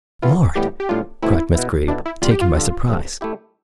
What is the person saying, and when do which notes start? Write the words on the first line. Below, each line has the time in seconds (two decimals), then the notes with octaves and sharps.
"Lord!" cried Miss Greeb, taken by surprise.
0.22 E3 B3 E4 F4
0.55 A2 E3 G3 B3 G4
0.80 G4
0.89 A2 G3 D4 F4
1.23 E2 B2 A3 C4 E4
1.55 B2 B3 E4
1.88 B2 B3 D4 E4 A4 D5
2.06 E4
2.22 E2 D3 G3 D4 F4
2.31 G4
2.41 F4
2.55 D3 G3 D4 A4
2.88 F2 C3 F3 A3
3.21 A3 E4 G4